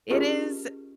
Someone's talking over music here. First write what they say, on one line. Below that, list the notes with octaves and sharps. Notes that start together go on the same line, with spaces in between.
It is
C#4 F4 G4 G#4 A#4 D#5